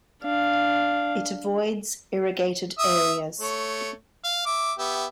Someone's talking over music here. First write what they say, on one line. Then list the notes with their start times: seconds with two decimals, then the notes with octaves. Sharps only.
It avoids irrigated areas.
0.23 D4 F5
2.79 E5 D#6
3.40 A3 C#5
4.24 F5
4.46 E5 D6
4.78 B3 G4 E5